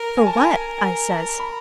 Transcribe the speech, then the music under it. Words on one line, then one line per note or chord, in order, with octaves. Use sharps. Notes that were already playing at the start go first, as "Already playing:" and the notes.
"For what?" I says.
Already playing: A#4
G#5
A5
A#4
G#5
G#5
A5
B5